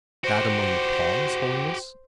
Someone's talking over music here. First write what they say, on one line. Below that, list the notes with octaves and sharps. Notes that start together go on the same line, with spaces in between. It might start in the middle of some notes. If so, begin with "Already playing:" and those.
"That among the palms, Holiness?"
F#4 G4 C5